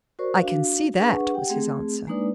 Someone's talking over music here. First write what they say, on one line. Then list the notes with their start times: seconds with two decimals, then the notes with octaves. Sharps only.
"I can see that," was his answer.
0.19 F#4 A#4 C5 D5 C#6
0.41 D4 F#4 F5
1.00 D4 G#4 B4 F#5 C#6
1.34 G4 F#5 G5
1.49 A3 C4 G#4
2.07 G#3 A#3 D4 D#4 B4 D5